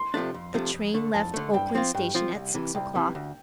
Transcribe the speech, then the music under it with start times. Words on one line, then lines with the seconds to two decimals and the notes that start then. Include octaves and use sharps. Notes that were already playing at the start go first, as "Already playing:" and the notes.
The train left Oakland station at six o'clock.
Already playing: C6
0.14 C3 F3 A3 D4
0.34 F2
0.54 C3 F3 A3 D4
0.74 F2
0.94 D3 A3
1.14 F2 A5
1.34 D3 A3
1.54 G2 G5
1.75 F3 C4 F4
1.95 G2 G5
2.15 F3 C4 F4
2.35 C2
2.54 C3 E3
2.75 C2 G5
2.95 C3 E3
3.15 D2